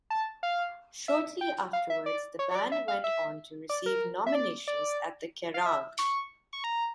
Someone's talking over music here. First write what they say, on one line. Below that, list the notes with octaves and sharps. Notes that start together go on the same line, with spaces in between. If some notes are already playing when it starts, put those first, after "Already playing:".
Shortly afterwards, the band went on to receive nominations at the Kerrang!
A5
F5
E5
G5
F5
E5
D5
C#5
C#5
D5
E5
F5
E5
D5
A#4
E5
D5
D5
F5
E5
C#6
C#6
A#5